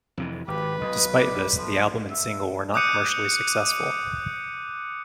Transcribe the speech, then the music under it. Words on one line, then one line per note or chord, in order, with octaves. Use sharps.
Despite this, the album and single were not commercially successful.
F2 C3 E3
G#1 G4 B4
B1 D#5
D5
F3
E5
D6 D#6 F#6 G6 C#7 D#7